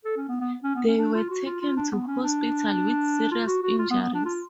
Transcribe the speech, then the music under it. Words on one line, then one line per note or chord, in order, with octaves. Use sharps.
They were taken to hospital with serious injuries.
A4
C#4
B3
B3
C#4
B3
C#4
D4
F4
F#4
F4
F4
D4
B3
C#4
D4
F4
F#4
F#4
F4
B3
B3
D4
F4